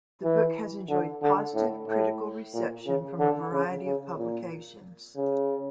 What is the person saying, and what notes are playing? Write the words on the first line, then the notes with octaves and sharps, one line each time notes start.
The book has enjoyed positive critical reception from a variety of publications.
E3
D3
D3
A2
A2
A#2
C#3
D3
C#3
C#3
A#2
C#3